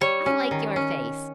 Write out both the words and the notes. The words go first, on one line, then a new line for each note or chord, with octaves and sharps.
I like your face.
G3 C#5
C#4
D#3
C#4